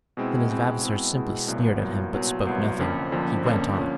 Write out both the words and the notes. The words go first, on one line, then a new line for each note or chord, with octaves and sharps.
Then, as Vavasor simply sneered at him, but spoke nothing, he went on.
B2 G#3 C4 E4
B2 G#3 C4 E4
B2 G#3 C4 E4
B2 G#3 C4 E4
C2 A#2 F#3 B3
C2 A#2 F#3 B3
C2 A#2 F#3 B3
C2 A#2 F#3 B3
F2 D3 F3 A#3 C#4
F2 D3 F3 A#3 C#4
F2 D3 F3 A#3 C#4
D3 F3 A#3 C#4